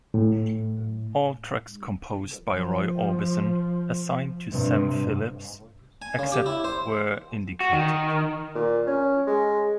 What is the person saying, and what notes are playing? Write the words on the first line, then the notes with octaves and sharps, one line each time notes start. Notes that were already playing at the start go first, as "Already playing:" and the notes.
All tracks composed by Roy Orbison, assigned to Sam Phillips, except where indicated.
A2
F3
G2 C3
G#5
C#3
G4
E4
C5
F#4
D#3
A#2
C#4
G#3